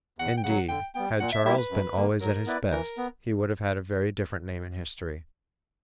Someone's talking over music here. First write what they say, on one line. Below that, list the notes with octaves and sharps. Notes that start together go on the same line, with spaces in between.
Indeed, had Charles been always at his best he would have had a very different name in history.
E2 F#5
G5
C#3 F#3 F#5
D3 G5
G3 B3 G5
A#2 F#5
E5
G3 A#3 E4 G4 E5
B4
F#2
D3 A#3
F#3 A#4
B3 E4 B4 D5
E3 A#4
B3